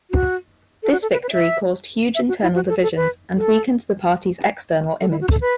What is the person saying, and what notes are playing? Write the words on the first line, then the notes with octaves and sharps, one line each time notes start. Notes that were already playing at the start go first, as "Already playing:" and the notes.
This victory caused huge internal divisions and weakened the party's external image.
F#4
A4
F#4
A4
B4
B4
C#5
E5
E5
F#4
E4
F#4
A4
A4
B4
A4
A4
E4
F#4
A4
B4